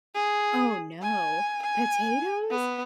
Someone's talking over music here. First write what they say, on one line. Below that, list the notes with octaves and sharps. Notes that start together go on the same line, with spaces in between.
Oh no, potatoes?
G#4
G#5
G#5
B3